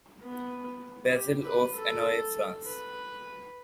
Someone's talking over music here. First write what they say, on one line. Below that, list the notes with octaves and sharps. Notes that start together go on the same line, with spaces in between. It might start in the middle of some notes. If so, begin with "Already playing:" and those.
Basil of Annonay, France.
B3
G4
B4
A4
B4